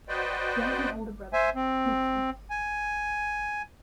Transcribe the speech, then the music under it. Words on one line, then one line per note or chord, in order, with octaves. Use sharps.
She has an older brother, Micky.
F#4 B4 C5 D5 D#5 G5
C5 E5 G#5
C4
G#5